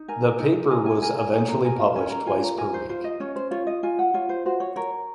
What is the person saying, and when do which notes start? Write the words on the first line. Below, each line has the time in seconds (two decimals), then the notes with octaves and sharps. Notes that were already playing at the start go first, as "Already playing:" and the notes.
The paper was eventually published twice per week.
Already playing: D#4
0.08 A#4 G#5
0.40 D#4
0.70 A#4 G#5
0.86 G#5
1.02 A#4 G#5
1.18 G#5
1.32 D#4 G#5
1.48 A#5
1.64 A#4 G#5
1.79 F5
1.96 C#4 G#5
2.11 A#5
2.26 F4 G#5
2.42 A#5
2.58 A#4 G#5
2.74 C5
2.89 F4 C5
3.04 D#5
3.20 C#4 C#5
3.36 C5
3.51 F4 C#5
3.67 D#5
3.83 F4 G#5
3.99 F#5
4.14 F4 C#5
4.29 C5
4.46 F#4 C5
4.60 C#5
4.76 A#4 C#5